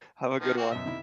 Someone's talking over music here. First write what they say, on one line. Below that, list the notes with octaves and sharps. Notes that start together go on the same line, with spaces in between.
Have a good one.
D#3 F3 B3
A#3 C4 F#4
F#2 B2 E5
C3 D#3 E4